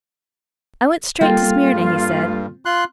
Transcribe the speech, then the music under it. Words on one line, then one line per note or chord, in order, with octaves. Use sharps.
'I went straight to Smyrna,' he said.
G3 A#3 C4 F4 A4
G2
F4 C6 F#6